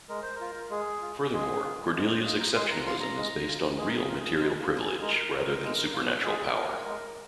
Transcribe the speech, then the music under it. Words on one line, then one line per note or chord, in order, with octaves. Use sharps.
Furthermore, Cordelia's exceptionalism is based on 'real' material privilege rather than supernatural power.
G#3 A#4
C5
A#4
F4
G#3 G#4
F4
G#3 G#4
F4
G#3 A#4
D#5
C5
F4 D#5
A#5
G#3 C6
A#5
F4 C6
A#5
G#3
F4
G#3 G#4
A#4
G#4
F4 A#4
G#4
G#3 A#4
F5
F4
G#5
G#3 A#4
F4
G#3
F4
G#3 G#4
F4 A#4
G#3 A#4